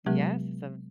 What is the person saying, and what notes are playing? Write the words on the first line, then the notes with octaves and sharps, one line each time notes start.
Yes, it's a v
C3 F#3 G#3 B3 G4